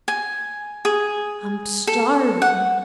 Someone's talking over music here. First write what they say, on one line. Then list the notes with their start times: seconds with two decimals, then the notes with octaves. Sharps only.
"I'm starving!"
0.08 G#5
0.85 G#4
1.87 A4
2.42 F#5